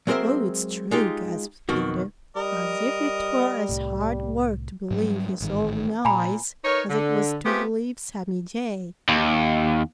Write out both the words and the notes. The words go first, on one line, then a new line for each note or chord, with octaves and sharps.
"Oh, it's true!" gasped Peter, as if it were as hard work to believe his own eyes as it was to believe Sammy Jay.
F#3 G#3 C4 A#4 C5 E5
G#3 D#4 F4 G4
F2 B2 D#3 F#4
G3 A#4 D#5
C2 A2
G#2 F#3 G3
A1 G#2 D#3
A#2 G#5 A#5 B5
D#4 A#4 B4 C#5
D3
G#3 A3 B3 C4 F4 G4
D#2